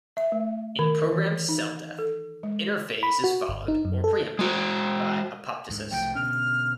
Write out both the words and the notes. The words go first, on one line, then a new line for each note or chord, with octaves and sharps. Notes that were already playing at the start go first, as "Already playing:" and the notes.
In programmed cell death, interphase is followed or preempted by apoptosis.
E5
A3
D#3
E3
D#4
A4
G#3
B5
F#4
G1
D#4
F#2
A4
G#3 F#4
D2 G#2
C2 F3 A3 G5
B2 D3 C#4 F6